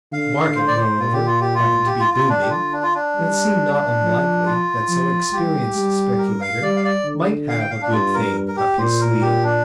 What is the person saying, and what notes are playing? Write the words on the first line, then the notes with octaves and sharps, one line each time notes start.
The market, moreover, happened to be booming, and it seemed not unlikely that so experienced a speculator might have a "good thing" up his sleeve.
D3 F5
C5
D5
C5
A#2 F4
G4
F4
G4
F4
G4
F4
F4
D3 D4
G4
F4
D4
F4
D4
G3
F3
F4
F3
G3 G4
G3
A#4
F5
G3 D5
F5
D5
D3
F5
G5
F5
D4
G2 F4
A#4
A#4
G4
A#2 C5
A#4
G4
D4